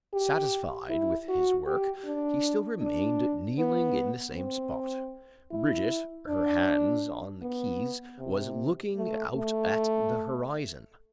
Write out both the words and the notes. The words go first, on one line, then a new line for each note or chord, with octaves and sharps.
Satisfied with his work, he still remained kneeling in the same spot; Brigitte, her hands on the keys, was looking out at the horizon.
G4
E4
F#4
G4
D4
D4
B3
C4
E4
D4
B3
C3
A3
A3